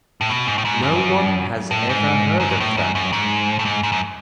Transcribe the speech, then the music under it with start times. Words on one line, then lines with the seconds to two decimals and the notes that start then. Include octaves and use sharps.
No one has ever heard of that.
0.21 A2
0.30 B2
0.47 G#2
0.58 A2
0.65 G#2
0.82 F#2
1.71 A2
1.89 G#2
2.40 F#2
2.51 G#2
2.60 A2
2.77 F#2
2.95 F#2
3.12 G#2
3.59 A2
3.65 G#2
3.83 G#2
3.92 F#2